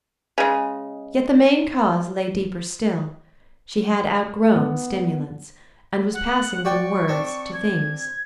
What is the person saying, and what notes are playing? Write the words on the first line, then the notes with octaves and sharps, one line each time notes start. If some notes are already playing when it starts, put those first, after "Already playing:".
Yet the main cause lay deeper still; she had outgrown stimulants, and was passing from words to things.
C#3 G#3
B3
F#5
F#4 D5 G5 C#6
C4 D4
G#6